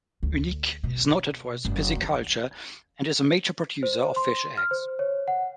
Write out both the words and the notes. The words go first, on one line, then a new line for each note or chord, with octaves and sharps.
Huningue is noted for its pisciculture and is a major producer of fish eggs.
D2
B2
F#1
D#2
C5
C6
F6
C5
C#5
F#5